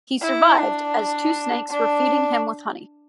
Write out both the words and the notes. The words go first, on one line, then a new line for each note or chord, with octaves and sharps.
He survived, as two snakes were feeding him with honey.
E4
D4
D4